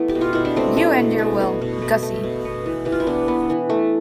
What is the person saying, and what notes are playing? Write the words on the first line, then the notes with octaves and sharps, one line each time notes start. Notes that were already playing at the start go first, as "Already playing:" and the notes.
You and your 'Well, Gussie'!
Already playing: E3 A3 B3 E4
G4
B2
F4
B2 E4
D4
A3 C4
A3
B2
A3
B2
B2
A3
A3
B2
B3
E3
E3 G4
F4
E4
B3 D4
B3
E3
A3